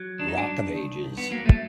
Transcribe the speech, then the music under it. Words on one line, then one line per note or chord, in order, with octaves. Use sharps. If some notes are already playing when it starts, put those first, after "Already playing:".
Rock of ages.
Already playing: F#3
D#3 D4
D#4
D4
G2
D#3
G2
B3
F#3 A#3
A3